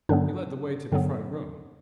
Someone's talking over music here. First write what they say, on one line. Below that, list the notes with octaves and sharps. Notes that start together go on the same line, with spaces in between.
He led the way to the front room.
G2 D3 F#3 B3 D4
G2 D3 F#3 B3